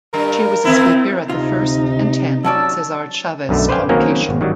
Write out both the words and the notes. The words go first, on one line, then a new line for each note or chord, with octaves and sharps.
She was a speaker at the first and tenth Cesar Chavez Convocation.
G2 G3 A#4
E3 C4 E4
D2 C3 D#4 F4
F#3 C#4 D5 A5 E6
B1 F#2 D3 A3
B4 C5 D5 F5 G5 G#5
D#3 F#3 A#3 C4 C#4 A#4
G#1
D#3 F#3 G3